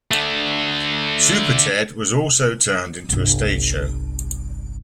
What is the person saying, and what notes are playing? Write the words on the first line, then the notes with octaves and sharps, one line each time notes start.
Superted was also turned into a stage show.
D3 A3
G1 C2